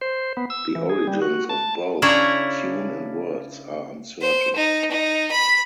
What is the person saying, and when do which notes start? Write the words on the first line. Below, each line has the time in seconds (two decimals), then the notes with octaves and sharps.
The origins of both tune and words are uncertain.
0.01 C5
0.37 B3
0.50 E6
0.75 E3
0.90 G#4
1.07 G3
1.22 F#4
1.50 A5
2.02 C#3 C#4 D4 E4 E5 A#5
4.22 C5
4.56 D#4
4.91 D#4
5.31 B5